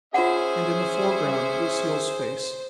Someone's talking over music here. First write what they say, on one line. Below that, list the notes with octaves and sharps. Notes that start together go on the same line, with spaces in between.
And in the foreground Lucille's face.
C#4 F4 G#4 C5 E5 F#5